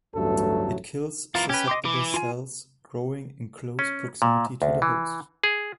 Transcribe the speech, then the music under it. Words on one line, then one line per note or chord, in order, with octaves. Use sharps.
It kills susceptible cells growing in close proximity to the host.
A1 D2 G2 F#3 A3 A4
E3 A#3 F4
C#4 G4 B4
D#5 C6 D6
E3 D6
F4 G#5
C#4
A#2
D2
E3
G#4